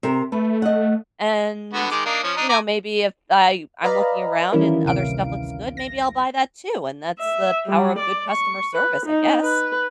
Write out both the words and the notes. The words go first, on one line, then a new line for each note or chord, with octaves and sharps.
And, you know, maybe if I I'm looking around and other stuff looks good, maybe I'll buy that too and that's the power of good customer service, I guess.
C3 A#4
A3 B4
D#5 F#5
D3 B3 F#4
D#3 G#3 D6
A#3 D4 D#4
F3 C#4
D4 D#4
G#5 A#5 D6
B4 D5 D#5 F5 A#5 B5
D#3 E3 G3 C#4 E4 A#4
A1 D2 C3 F5 D7
A#6
E5
G3
D5
C#6
B4
D#4
B4